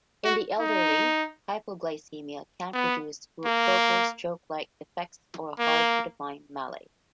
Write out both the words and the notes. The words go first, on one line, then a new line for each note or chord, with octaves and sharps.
In the elderly, hypoglycemia can produce focal stroke-like effects or a hard-to-define malaise.
F#4
D#4
B3
A#3
A#3